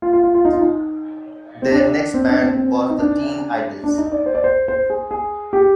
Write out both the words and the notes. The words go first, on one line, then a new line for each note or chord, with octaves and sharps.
Their next band was The Teen Idles.
F4
F4
F4
F4
D#4
F4
D#4
C4
D4
C4
D4
C4
C4
D#4
D4
D4
D#4
D5
C5
D5
C5
C5
G#4
G#4
G4